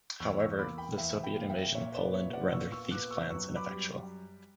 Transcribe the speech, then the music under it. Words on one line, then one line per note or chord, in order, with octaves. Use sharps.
However, the Soviet invasion of Poland rendered these plans ineffectual.
E2 C#6 E6
C#6 E6
A#3 B5 D6
G5 B5
E2 E5 G5
G5 B5
A#3
E5 G5
A#2 C#5 E5
B4 D5
B3 C#5 E5
D5 F#5
A#2 C#6 E6
C#6 E6
B3 D6 F#6
C#6 E6
F#2 C#6 E6
B5 D6
G3